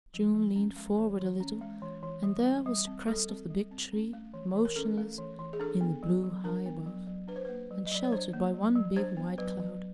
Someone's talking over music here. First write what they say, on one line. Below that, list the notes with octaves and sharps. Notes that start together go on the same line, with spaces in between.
June leaned forward a little, and there was the crest of the big tree motionless in the blue high above, and sheltered by one big white cloud.
F3
F3
C#4
G#3
E3
E3
C#4
G#3
E3
E3
G3
C4
G3
C4
G3 A4
C4
G3
C4
C#4
A3
E3
E3
A#4
C#4 A4
A3
E3
E3
G#4
D4 A4
B3
F#3
F#3
D4 A#4
B3
F#3
F#3
D4 B4
C5
A#3 B4
F#3
D#5
F#3 D5
C#5
D4 C5
A#3
F#3
F#3
D4 C5
B3
F#3 B4
F#3